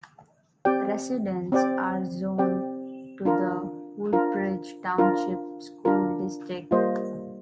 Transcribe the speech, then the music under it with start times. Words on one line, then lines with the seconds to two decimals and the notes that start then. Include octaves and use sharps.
Residents are zoned to the Woodbridge Township School District.
0.65 C4 G4 D5 G5
1.52 C4 G4 D5 G5
2.38 C4 G4 D5 G5
3.25 D4 F4 A#4
4.13 D4 F4 A#4
4.98 D4 F4 A#4
5.85 D4 F4 A#4
6.71 G3 A#3 F4 C5 D#5